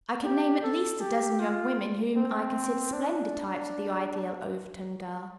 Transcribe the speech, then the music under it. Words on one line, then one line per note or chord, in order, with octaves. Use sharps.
"I could name at least a dozen young women whom I consider splendid types of the ideal Overton girl."
G4
A4
G4
F4
C4
D4